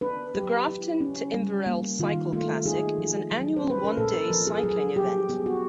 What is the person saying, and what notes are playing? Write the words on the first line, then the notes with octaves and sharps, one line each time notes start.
The Grafton to Inverell Cycle Classic is an annual one day cycling event.
D4 B4
F#3 G4
E4
C#4
G3
A#3
D#3 F4
A3 F4
D#4 G#4
F3
F#3
C5
C#4
B4
A#4
A#2 A4
A#4
F3 A#4
G#4
F#3 G#4
F#3 G4
B3 G#4
F#4